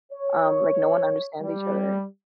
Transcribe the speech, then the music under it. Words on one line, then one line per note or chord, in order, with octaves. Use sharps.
um, like, no one understands each other?
C#5
G3